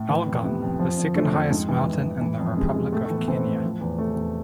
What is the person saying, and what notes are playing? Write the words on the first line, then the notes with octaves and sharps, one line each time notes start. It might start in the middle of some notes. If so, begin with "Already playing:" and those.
Elgon, the second highest mountain in the Republic of Kenya.
Already playing: A2
E3
F2
C3 B3
F2
F3
F2
D3 A3
F2
G#2
E3
E3
G#2
E3
F2
C3 G#3
F2 G#3
A2 A3
A3
E3
B3
E3 C4
A2
F3
E2
C3 A3
E2